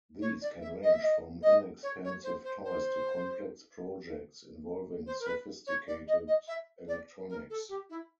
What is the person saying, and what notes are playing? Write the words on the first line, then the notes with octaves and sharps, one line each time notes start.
These can range from inexpensive toys to complex projects involving sophisticated electronics.
C#5
D5
E5
D#5
E5
D#5
D#5
C#5
C#5
C5
C5
C5
C5
A#4
B4
C#5
D5
D#5
D#5
E5
D5
A#4
A4
G4
E4